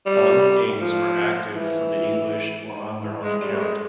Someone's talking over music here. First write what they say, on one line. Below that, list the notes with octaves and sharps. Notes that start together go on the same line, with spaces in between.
Armed gangs were active for the English or on their own account.
G3
F3
E3
E3
G#3
G3
A3
G#3